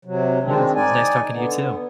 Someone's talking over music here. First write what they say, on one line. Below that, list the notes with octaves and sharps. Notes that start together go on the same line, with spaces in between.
Yes, it was nice talking to you too.
C3 F#3
D#3 G#3 C4 D4
D#4 D5 G#5
D3 B3